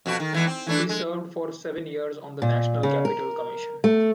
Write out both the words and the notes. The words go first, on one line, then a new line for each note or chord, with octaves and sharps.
He served for seven years on the National Capital Commission.
F2 B2 F#4
D#3
E2 E3 G#3
C4
E3 A3 D4
G#3
A#2
C#3
A#4
A3